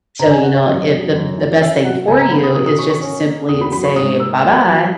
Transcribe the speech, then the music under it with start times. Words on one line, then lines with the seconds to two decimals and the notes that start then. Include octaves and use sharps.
So, you know, if the the best thing for you is just to simply say, "Bye-bye."
0.19 C#3 A#5
0.31 G#5
0.43 C#4 F#5
0.54 C#5
0.67 F#2 D#5
0.90 F#3
1.13 F#2
1.37 E3
1.60 C#4 E5
1.84 F#3 F#5
2.08 C#3 G#5
2.20 A#5
2.31 B3 B5
2.44 D#6
2.55 B2 D#6
2.66 D#6
2.78 C#4 C#6
2.90 C#6
3.02 C#4
3.25 A#3
3.49 E2 D#6
3.61 B5
3.72 F#3 B5
3.85 C#6
3.96 G#2 D#6
4.19 A#3 E6
4.44 A#3
4.67 F#3